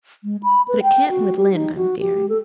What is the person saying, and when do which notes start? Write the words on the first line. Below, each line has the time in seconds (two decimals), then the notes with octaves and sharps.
But it can't with Lynde, I'm fearing.
0.24 G#3
0.43 B5
0.68 B4
0.83 G5
1.09 F#4
1.38 G4
1.54 D#4
1.76 F#4
2.00 G4
2.29 A4